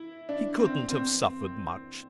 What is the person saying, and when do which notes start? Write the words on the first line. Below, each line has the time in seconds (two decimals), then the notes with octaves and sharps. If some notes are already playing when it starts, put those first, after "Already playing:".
He couldn't have suffered much.'
Already playing: E4
0.29 D4
0.59 C4
0.89 C4